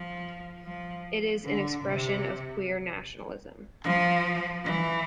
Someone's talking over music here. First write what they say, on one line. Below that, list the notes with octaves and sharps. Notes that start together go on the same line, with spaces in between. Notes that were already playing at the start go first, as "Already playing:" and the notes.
It is an expression of queer nationalism.
Already playing: F3
F3
D3
C3
F3
E3